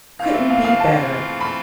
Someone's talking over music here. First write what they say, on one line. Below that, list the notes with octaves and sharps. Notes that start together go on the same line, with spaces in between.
'Couldn't be better.'
E3 A3 C4 F4 F5
E5
F5
F5
A5
B5